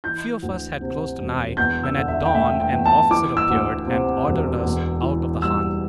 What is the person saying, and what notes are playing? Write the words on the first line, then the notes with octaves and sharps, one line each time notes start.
Few of us had closed an eye when, at dawn, an officer appeared and ordered us out of the Han.
E3 G6
D2
C3
E1
E2 G6
E6
D3
E5
G5
A3 E5
G5
E2
A5
E3 D6
E6
D2
C3
E1
E2
E3
G3 E6